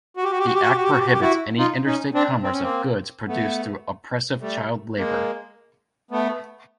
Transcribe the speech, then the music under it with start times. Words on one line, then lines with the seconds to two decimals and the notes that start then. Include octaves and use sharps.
The act prohibits any interstate commerce of goods produced through oppressive child labor.
0.17 F#4
0.24 G4
0.31 F#4
0.39 G4
0.46 F#4
0.54 G4
0.62 F#4
0.69 G4
0.76 F#4
0.84 G4
0.91 F#4
0.99 G4
1.06 F#4
1.13 G4
1.21 E4 F#4
1.58 D#4 F4
1.86 C#4 D#4
2.14 C4 D4
2.43 C4
2.52 C#4
2.62 A#3 C4
3.27 A3 B3
4.41 G3 A3
4.97 G#3 A#3
6.11 A3 B3